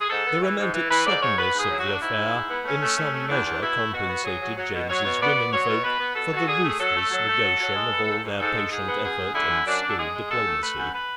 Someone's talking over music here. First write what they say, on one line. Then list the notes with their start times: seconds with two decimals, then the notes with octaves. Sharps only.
The romantic suddenness of the affair in some measure compensated James's women-folk for the ruthless negation of all their patient effort and skilled diplomacy.
0.01 G#4
0.10 G#2 A4
0.26 B3
0.42 E3
0.59 G#2
0.74 E3
0.90 E3 B4
1.06 G#2 D5
1.21 G#2 C#5
1.37 B3 B4
1.54 G#2
1.59 G#4
1.70 F#3 E4
1.80 F#4
1.86 G#2
1.93 D4
2.02 G#2 E4
2.18 G#2
2.34 G#2
2.49 B3
2.65 A3 C#4
2.82 A3
2.97 A3
3.14 A3
3.29 E2 D4
3.45 E2
3.61 B2 E4
3.77 A3
3.93 B2 F#4
4.09 B3
4.24 F#3 G#4
4.41 F#3
4.57 F#3
4.73 B2
4.89 F#3 C#5
5.04 B2
5.21 B3 D5
5.36 B3
5.52 F#3 C#5
5.68 B2
5.84 B2 B4
6.00 B3
6.16 B2 A4
6.32 F#3 F#4
6.47 D3 G#4
6.64 A3 G#4
6.80 F#3 A4
6.96 A3
7.11 F#3
7.28 A3
7.44 F#3
7.60 F#3
7.75 G#3
7.92 B3
8.08 G#2
8.24 G#2
8.39 G#2 A4
8.56 G#3
8.71 G#2 G#4
8.87 B3
9.03 F#2 G#4
9.19 F#2
9.35 D3 E4
9.50 F#2
9.67 F#2 D4
9.83 F#2 A4
9.98 G#3 G#4
10.15 G#3
10.30 F#2 A4
10.47 A3
10.62 A3 B4
10.78 F#2
10.94 B4